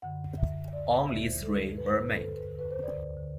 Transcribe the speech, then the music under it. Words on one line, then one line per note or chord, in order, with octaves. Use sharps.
Only three were made.
F#2 D3 F#5
F#2 D3 E5
D2 D3 D5
D2 D3 E5
C5
G2 D3 A4
G2 D3 B4
C5
B4
E2 D3 A4
A4
B4
E2 D3
B4
C5
D2 D3 D5
D3